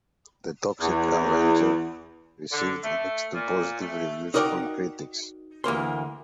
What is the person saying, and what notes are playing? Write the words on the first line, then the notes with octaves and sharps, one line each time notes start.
"The Toxic Avenger" received mixed to positive reviews from critics.
E2
D3
A3
A#2
A3
D#4 F#4 A#4 D5 F#5 G5
D2 E3 A#3 C6